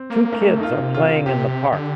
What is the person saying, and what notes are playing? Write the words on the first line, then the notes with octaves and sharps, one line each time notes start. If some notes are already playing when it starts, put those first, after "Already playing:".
Two kids are playing in the park.
Already playing: C4
A#3
A3 A#3
D#4
F4
D3
C3
F4
C3 G4
D3